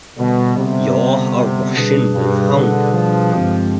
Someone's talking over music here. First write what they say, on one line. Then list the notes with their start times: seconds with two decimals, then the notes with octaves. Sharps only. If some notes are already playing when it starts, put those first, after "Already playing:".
You're a Russian wolfhound.
0.18 B2 D3 G3 B3
0.56 C3
1.35 C3
1.75 B2 G3 D4 G#4 B4
2.14 G2
2.53 D3
2.92 F3
3.32 G2 D3 G#3 C4 G4